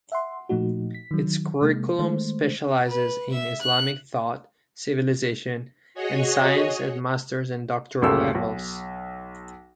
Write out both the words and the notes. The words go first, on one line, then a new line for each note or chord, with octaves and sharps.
Its curriculum specialises in Islamic thought, civilisation and science at master's and doctoral levels.
E5 F#5 C6
A#2 F3 A3 D#4 F#4
B6
D#3 F#3
C3 G#3 A#3
D#3 G#3 A3 C5
B4
E5
F#6
F#4 G#4 C#5 D#5
G1 D2 C#3 G4 A4 E6
B1